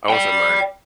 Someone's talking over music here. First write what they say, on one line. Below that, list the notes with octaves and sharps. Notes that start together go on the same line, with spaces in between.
I was at my
D5 G5